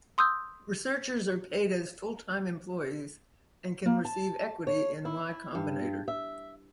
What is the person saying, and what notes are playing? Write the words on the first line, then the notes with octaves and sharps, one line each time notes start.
Researchers are paid as full-time employees and can receive equity in Y Combinator.
C6 D#6 E6 G6
A#3
A5
C#5
E4
G2
E5